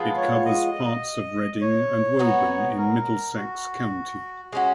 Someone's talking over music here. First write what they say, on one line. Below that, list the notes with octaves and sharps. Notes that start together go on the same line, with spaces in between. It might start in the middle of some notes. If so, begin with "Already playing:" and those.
It covers parts of Reading and Woburn in Middlesex County.
Already playing: F3 G#3 B3 F4
C#5
D#5
C#5
B3 D#4 F#4
A#4
F#4
G#3 C#4 F#4